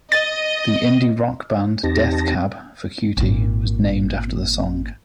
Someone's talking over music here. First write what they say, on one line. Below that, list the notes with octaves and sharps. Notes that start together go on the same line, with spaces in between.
The indie rock band Death Cab for Cutie was named after the song.
D#5 A6
E2 C4 D#4 G4 A5 A#6
G#1 A#2